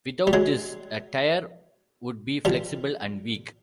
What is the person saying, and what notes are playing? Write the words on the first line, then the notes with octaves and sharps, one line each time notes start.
Without this, a tire would be flexible and weak.
G3
F#3 G#3
F3 G3